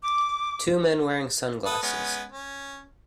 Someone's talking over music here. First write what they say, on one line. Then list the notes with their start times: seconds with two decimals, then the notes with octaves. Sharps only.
Two men wearing sunglasses.
0.03 D6
1.66 A4 B4 D#6
1.82 G#3 B3 C#4
2.32 C#4